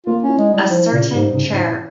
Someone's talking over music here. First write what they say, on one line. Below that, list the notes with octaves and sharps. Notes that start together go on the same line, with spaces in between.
A certain Chr.
A#3 F4
C#4
E4
G#3
G3 E4
F3 E4
A#2 C#3
G#2 G3
G#2 C#3
G#2
E4
A#2